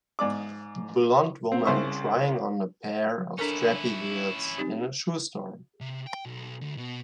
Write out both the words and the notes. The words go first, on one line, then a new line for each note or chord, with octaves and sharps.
Blond woman trying on a pair of strappy heels in a shoe store.
G#2 D5 D6
C4
C2 C#3 C5 E5 C#6
C#4 D4 E4 A4 A#4
C4 D#4 G4
C3
G5
B1
D2
B2